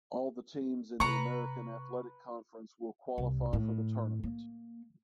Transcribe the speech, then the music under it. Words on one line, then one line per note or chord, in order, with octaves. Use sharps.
All the teams in the American Athletic Conference will qualify for the tournament.
C3 B4 A#5 C#6 C#7
C2
A2
A#3